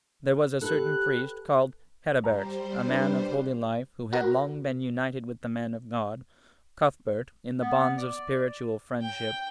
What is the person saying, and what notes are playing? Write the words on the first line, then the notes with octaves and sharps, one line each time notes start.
There was a certain priest, called Herebert, a man of holy life, who had long been united with the man of God, Cuthbert, in the bonds of spiritual friendship.
G4 A4 B4 F#6
G3 C5 A#5
D4 B4
F#4 A#4
B3
D5
G5